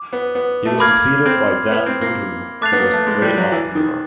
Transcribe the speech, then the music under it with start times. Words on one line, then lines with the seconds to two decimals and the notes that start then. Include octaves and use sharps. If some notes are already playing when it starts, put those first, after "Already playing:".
He was succeeded by Dan Boodhoo who was a great entrepreneur.
Already playing: D6
0.13 B3
0.35 B3
0.65 A3
0.80 A#3 B5 D6 F6 G#6
1.25 C4
1.71 B3
1.86 C4
2.01 A#3
2.62 A3 D6 F#6 A6 C7 F7
2.72 B3
2.77 A#3
2.92 A3
3.07 G#3
3.22 G3
3.37 F#3
3.52 E3
3.75 D#3